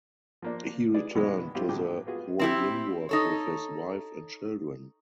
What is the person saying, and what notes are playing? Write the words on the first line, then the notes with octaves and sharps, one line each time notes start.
He returned to the Hohenlimburg with his wife and children.
F3 A#3 D4
G#4 B4 D5
F#2 B2 D#3 E3 G#3 D4
F#3 G3 C4 E4 F4 G4
A2 D3 F#3 G#4 G5 D6
B3 F4 F#4 G#4
C4 E4 G4
D#4 A4 C#5